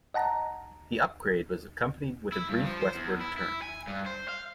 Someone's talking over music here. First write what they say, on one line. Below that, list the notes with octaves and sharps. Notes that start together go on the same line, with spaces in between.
The upgrade was accompanied with a brief westward turn.
D#5 F#5 A5 A#5
E4
G2
F3
C5
E2
E4
E4
G#5
G2
C5
F5